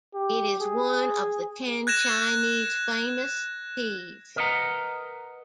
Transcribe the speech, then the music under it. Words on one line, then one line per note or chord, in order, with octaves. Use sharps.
It is one of the ten Chinese Famous Teas.
G4
G#4
F#6 G#6 A#6 E7
A#4 B4 D#5 E5 F#5 A#5